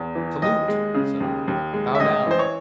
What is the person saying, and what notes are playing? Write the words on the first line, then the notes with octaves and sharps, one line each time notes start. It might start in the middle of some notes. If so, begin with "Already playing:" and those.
"Salute!" said I. "Bow down!"
Already playing: E2
E3
D#2 D#5
G#3
C#3
D#2
D#2
G#3
E5
A1 D#5
E3 C5
C#5